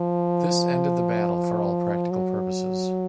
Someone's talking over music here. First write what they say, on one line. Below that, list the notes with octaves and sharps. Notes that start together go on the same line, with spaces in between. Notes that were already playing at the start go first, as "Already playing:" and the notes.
This ended the battle for all practical purposes.
Already playing: F3
F#3